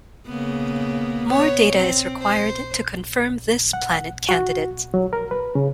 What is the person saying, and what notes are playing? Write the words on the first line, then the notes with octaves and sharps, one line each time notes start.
More data is required to confirm this planet candidate.
C#3 A#3 B3
B3 C#5
C4
C5
F#5
F#4
F#3
A#4
B4
C#3